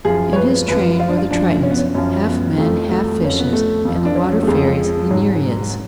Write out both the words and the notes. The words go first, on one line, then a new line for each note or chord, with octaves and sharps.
In his train were the Tritons, half men, half fishes, and the water fairies, the Nereids.
F#2 F3 G#4
C#5
B4
F#2 F3 B4
F4
D4
F4
F#2 F3 D4
C#4
B3
C#4
F#2 F3 C#4
B3
F2 F3 A3
A3
F2 F3 C#4
B3
A3
F2 F3
D4
C#4
A3
F2 F3 G#3
G#2 F#3